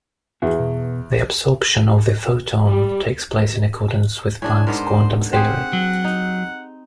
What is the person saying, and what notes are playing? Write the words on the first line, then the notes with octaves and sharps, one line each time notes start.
The absorption of the photon takes place in accordance with Planck's quantum theory.
E2 F#4 G#4
B2
G3
A2 D4 G#5
G#2 B3 A#4 C5
C4 G4 G#4 F#5
F#3
D#4